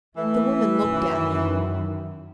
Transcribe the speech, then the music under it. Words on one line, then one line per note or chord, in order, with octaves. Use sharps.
The woman looked at me.
E3 A3
F#2 D#3